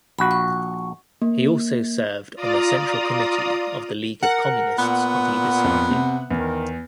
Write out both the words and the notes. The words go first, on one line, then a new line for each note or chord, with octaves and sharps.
He also served on the Central Committee of the League of Communists of Yugoslavia.
A#1 F#4 B5
C#6
A#3
F4 D5 A#5 D#6
A#4 F#5
A#2 B3
F2
C3
E2 D#3